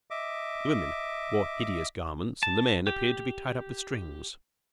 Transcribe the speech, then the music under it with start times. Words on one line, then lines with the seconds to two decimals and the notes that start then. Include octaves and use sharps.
The women wore hideous garments, and the men appeared to be tied up with strings.
0.10 D#5 E5 D6
2.43 A5
2.87 G4